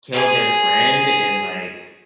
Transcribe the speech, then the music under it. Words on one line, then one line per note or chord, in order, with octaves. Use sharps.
killed their friend and, like,
G#4